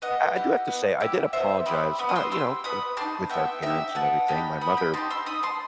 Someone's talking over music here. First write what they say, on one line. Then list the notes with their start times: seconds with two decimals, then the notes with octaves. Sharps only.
I I do have to say, I did apologize, uh, you know, eh, with our parents and everything. My mother
0.02 B3 D#5 F#5
0.36 E4 G4
0.67 B3
1.00 E4 G4
1.33 B3 C5 E5
1.66 E4 G4 B5 D#6
1.98 B3 B5 D#6
2.09 D#6
2.16 C6 E6
2.31 E4 G4 C6 E6
2.64 B3 B5 D#6
2.97 D#4 G4 A5 C6
3.30 B3 E5 G5
3.62 D#4 G4 E5 G5
3.95 B3 F#5 A5
4.28 D#4 G4 G5 B5
4.61 B3 B5 D#6
4.77 G5 B5
4.94 D#4 G4 A5 C6
5.10 C6 E6
5.26 D#4 B5 D#6
5.43 A5 C6